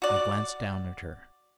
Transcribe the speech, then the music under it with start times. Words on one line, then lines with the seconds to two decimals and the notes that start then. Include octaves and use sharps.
I glanced down at her.
0.02 F#4 D5